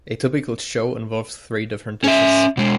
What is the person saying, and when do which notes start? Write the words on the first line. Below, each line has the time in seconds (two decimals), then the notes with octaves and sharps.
A typical show involves three different dishes.
2.04 C#4 E5
2.57 B2 G#3